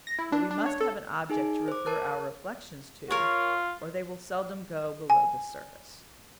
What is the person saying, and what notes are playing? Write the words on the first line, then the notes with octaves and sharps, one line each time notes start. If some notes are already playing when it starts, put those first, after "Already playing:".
But we must have an object to refer our reflections to, or they will seldom go below the surface.
A#6
E4
D4
D4
C#5
A4
D#4 G#4 G#5
C5 D6
A#4 A5 F#6
F4 A#4 C#5
G#5